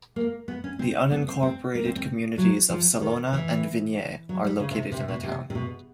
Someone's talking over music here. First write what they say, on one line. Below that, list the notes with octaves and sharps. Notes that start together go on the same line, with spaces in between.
The unincorporated communities of Salona, and Vignes are located in the town.
A#3
B3
C#4
C4
B3
C4
C4
A#3
C4
C4
F#3
F3
D#3
E3
F#3
G3
C#3
C3
C3
B2
C3
C3
B2